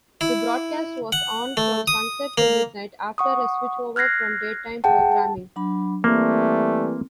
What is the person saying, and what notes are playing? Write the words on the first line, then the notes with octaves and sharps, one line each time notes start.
The broadcast was on from sunset to midnight after a switchover from daytime programming.
E4
F#5
A3
D#6
A#3
F#5 C#6 D#6
F6 F#6 G#6 A#6 C7
G#4 F#5 G5 A5
A5
F#3 D4 B5
E3 G3 A3 A#3 C4